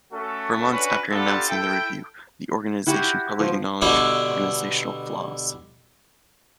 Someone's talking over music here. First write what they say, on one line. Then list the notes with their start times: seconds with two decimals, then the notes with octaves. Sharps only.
Four months after announcing the review, the organization publicly acknowledged organizational flaws.
0.13 A3 C#4 F#4 A4
0.72 C#4 D4 F#4 B4 B5
1.09 G3 B3 D4 F4 G4 A4
1.49 E4 A4 G5
2.87 E4 F#4 G4 F#5
3.39 F3
3.81 B2 D3 G3 E4 C#6 D6